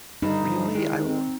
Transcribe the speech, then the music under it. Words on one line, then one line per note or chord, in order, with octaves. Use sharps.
Really? I w
G2 D3 D#4
F3
D#3 G#3 E4
C4